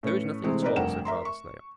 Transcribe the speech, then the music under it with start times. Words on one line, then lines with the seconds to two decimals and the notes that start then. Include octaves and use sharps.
"There is nothing at all," said Father Snail.
0.03 A2 C#4 B4 C#7
0.44 C3 E3 G#3 A3 C4 G#4
0.63 C4 D#4 A#4 B4 D5 D#5
0.76 F1 G2 A#4 F#5 G5 E7
1.05 A#4 E5 A#5 C6
1.25 C#6